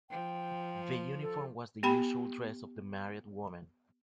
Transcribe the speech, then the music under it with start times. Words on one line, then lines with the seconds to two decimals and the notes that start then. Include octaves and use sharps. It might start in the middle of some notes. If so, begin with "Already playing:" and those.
The uniform was the usual dress of the married woman.
0.10 F3 G5
1.21 A4
1.83 B3 G4 G5 B5